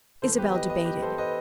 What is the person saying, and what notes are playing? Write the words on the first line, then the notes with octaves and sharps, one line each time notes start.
Isabel debated.
E3 B3 A4 C5
G4 B4
B4 D#5
B4 D#5
G4 B4
A4 C5
B4 D#5